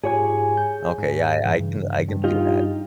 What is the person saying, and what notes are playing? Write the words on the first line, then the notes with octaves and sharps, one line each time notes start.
okay, yeah, I I can I can see that.
G#2 F4 G4 G#4 C#5 G#5
G6
G#2
G2 C#3 E3
G2
D#4 F4 G4